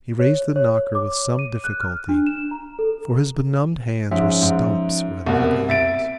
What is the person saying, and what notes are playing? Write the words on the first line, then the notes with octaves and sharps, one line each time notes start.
He raised the knocker with some difficulty, for his benumbed hands were stumps rather than hands.
C#5
C#5
D6
D#7
F#6
F6
D4
E7
A#5
A4
G#2 F3 C#4 E5
G#2
C2 B2 A#3 C4
E5 A6 D7